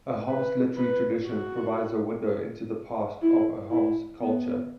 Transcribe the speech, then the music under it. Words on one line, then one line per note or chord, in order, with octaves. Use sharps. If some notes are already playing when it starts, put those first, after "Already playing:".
Ahom's literary tradition provides a window into the past, of Ahom's culture.
B4
B4
F#4
E4
E4
B3